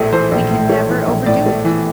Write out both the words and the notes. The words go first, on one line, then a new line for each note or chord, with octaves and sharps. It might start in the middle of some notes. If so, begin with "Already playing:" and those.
We can never overdo it.
Already playing: A#1 A2 A3
E3 C5
A#1
A2
A3 C#5
E3
A#1
A2 D5
A3
E3